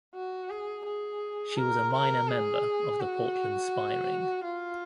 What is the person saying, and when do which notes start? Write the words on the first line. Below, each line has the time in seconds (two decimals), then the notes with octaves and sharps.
She was a minor member of the Portland Spy Ring.
0.14 F#4
0.50 G#4
0.86 G#4
1.57 A#4
1.93 A#4
2.29 G#4
3.01 F#4
4.44 F4